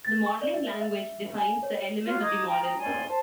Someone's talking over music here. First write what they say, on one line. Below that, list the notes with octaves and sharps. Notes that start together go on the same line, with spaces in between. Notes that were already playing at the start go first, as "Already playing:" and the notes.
The modeling language defines the elements of the model.
A6
C#6
D5
E5
E5
G#5
C#5
F4 F#4 C#5
D#4 D6 D#6 G#6
G5 A#5
G5 A#5 D#6
C#5 D5 G#5 C6
C5 A5